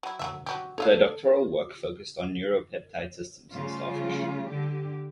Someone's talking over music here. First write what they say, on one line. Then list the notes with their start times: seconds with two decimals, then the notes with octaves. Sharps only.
Her doctoral work focused on neuropeptide systems in starfish.
0.03 F#3 E4
0.19 F#3 A#3 E5
0.46 F#3 F#4 G4
0.78 A4 C#5 D#5 F5
3.51 C#3 F3 G3 A3 F4
4.47 D3 G4